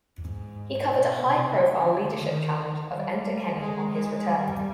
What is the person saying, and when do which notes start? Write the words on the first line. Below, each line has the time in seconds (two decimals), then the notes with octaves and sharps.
He covered a high-profile leadership challenge of Enda Kenny on his return.
0.21 G#2
0.88 B2
1.22 C3
1.56 D3
2.23 D#3
2.91 G3
3.58 G#3
3.92 G#3
4.26 G3